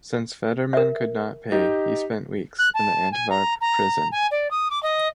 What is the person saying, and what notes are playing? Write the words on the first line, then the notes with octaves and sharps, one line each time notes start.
Since Federmann could not pay, he spent weeks in an Antwerp prison.
A#4 E5
D#4 G4
F#6
A5
G#5
A#5
A#5
G#5
D5
D#6
D6
D#5